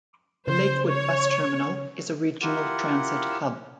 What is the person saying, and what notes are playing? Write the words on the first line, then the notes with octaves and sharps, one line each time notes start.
The Lakewood Bus Terminal is a regional transit hub.
C#3 C5
C#5
E4 F4 G4 A#4 F#5